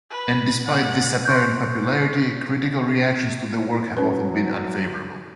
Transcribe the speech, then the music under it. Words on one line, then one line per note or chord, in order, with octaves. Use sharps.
And despite this apparent popularity, critical reactions to the work have often been unfavourable.
B4
F#5
C6 C#6 F#6 G6
F#3 C#4 B4